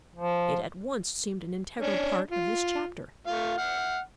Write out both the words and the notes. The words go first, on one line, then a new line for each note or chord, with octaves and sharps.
It at once seemed an integral part of this chapter.
F3
C#4 D4
F4
A3 F4 F5
F#5 F6